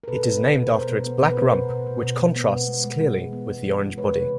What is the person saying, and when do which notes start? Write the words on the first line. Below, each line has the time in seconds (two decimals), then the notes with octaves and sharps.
It is named after its black rump which contrast clearly with the orange body.
0.04 A#4
0.08 B2 A4 B4
0.24 B3
0.40 B3
0.57 B2
0.73 B3 A#4 C5
0.89 B2
1.06 B3
1.22 B2
1.27 B4
1.37 B3 A#4 C5
1.55 B2
1.70 B2
1.87 B2
2.03 B2
2.19 B3
2.36 B3
2.52 B2
2.68 G#3
2.85 G#3
3.00 G#3
3.17 E3
3.33 B3
3.50 G#3
3.66 E3
3.82 G#3
3.98 G#3 B4 C#5
4.15 C3